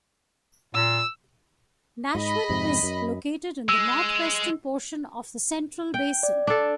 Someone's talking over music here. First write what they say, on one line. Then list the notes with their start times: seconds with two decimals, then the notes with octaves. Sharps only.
Nashville is located in the northwestern portion of the Central Basin.
0.75 A#2 E6
2.15 G#2 D#5 B5
2.49 F2 G#2 C3
2.83 F#2
3.69 G#3 E6
5.94 G5
6.23 D5
6.47 D4 A4